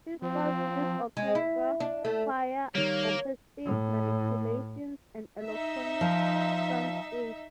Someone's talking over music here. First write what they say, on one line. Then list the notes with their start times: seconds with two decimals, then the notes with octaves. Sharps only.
His scores use orchestra, choir, acoustic manipulations and electronic soundscapes.
0.22 F3 C4
1.17 G#3
1.35 E4
1.80 D4
2.05 A3
2.75 D#3 G3 A#3 C#5
3.65 A2
5.44 D#4 E5
6.01 F3